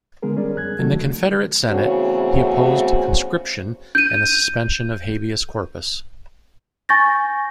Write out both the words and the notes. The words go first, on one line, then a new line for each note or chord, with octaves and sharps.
In the Confederate Senate, he opposed conscription and the suspension of habeas corpus.
D3 G#3 B3 G#4 A#4
G3 C#4 G#4 A#4 D5
F2 F#6 G#6
D3 D#3 F#3 A3 F#4 A4
E2 C#3 A3 C4 F#4 C#5
G6 D#7
G#5 C#6 G6 A6 A#6